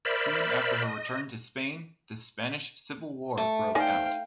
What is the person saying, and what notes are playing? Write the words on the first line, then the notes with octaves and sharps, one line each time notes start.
Soon after her return to Spain, the Spanish civil war broke out.
A#4 C5 D5 E5 B5
D#5
A3
D#4 C5 D5 F5 G5 G#5